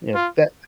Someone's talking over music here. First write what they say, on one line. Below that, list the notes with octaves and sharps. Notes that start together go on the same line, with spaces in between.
Yep, that
F4